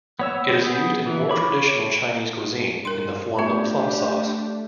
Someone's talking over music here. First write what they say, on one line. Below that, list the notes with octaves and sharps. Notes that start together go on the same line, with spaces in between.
It is used in more traditional Chinese cuisine in the form of plum sauce.
B3 C#5 E6
B3 G#4 G6
E3
C#5 B5 D6
G2 A#4 C6
A3 B3 D4 F4 G4